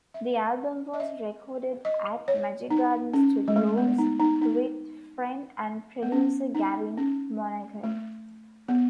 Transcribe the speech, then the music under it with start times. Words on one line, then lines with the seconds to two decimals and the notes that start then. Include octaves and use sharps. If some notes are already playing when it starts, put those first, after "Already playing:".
The album was recorded at Magic Garden Studios with friend and producer Gavin Monaghan.
0.14 E5
0.93 D#5
1.00 E5
1.85 D#5
2.28 C#5
2.71 D#4
3.14 C#4
3.48 G#3
3.56 A3
3.78 B3
3.98 D#4
4.20 D#4
4.41 D#4
6.02 B3
6.12 C#4
6.55 D#4
6.97 C#4
7.84 A3
8.68 B3